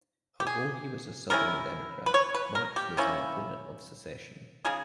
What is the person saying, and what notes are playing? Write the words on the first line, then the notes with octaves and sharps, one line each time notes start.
Although he was a Southern Democrat, Marks was an opponent of secession.
G4
G#4
D#3 G3 C#4 E4 A#4
B4
C#5
B4
A#4
G4
D#3 A#3 C#4 E4
C#3 G#3 D#4 G#4